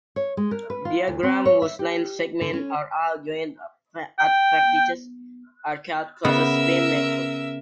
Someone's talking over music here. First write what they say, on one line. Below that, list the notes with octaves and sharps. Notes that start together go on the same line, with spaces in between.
Diagrams whose line segments are all joined at vertices are called "closed spin networks".
C#5
G#3
A#4
B4
F4
D2
C4
C#5
E5
G4
D3
C#4
G5
C#3 B3 A#4 E5 F#5 E6